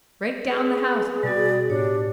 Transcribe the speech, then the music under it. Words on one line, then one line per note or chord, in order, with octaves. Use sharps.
Break down the house.
G#4 B4
B2 G3 B3 F#4 D5
A2 D4 G4 C#5